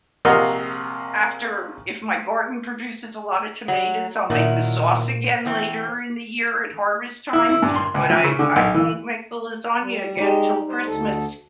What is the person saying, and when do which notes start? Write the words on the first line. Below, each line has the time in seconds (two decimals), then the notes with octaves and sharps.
after if my garden produces a lotta tomatoes, I'll make the sauce again later in the year at harvest time, but I I won't make the lasagna again 'til Christmas.
0.25 A#1 C3 A#4 D#5 F5 F#5
3.68 F#3
4.30 A#2 D#3 F#3 E4
5.45 B2 E3 C4
7.33 E4
7.49 E4
7.62 G2
7.76 C6
7.94 C#2
8.10 F3
8.24 C#3
8.39 D3
8.56 B1
8.74 E3
9.81 G3
10.17 G3 G#3 D#4 G4
10.69 C5
10.86 D2 A4